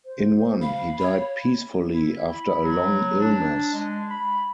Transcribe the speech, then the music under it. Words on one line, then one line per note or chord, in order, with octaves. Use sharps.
In one, he died peacefully after a long illness.
C5
F5 B5
C#5
E4
B5
F#3
D4
G#3
B5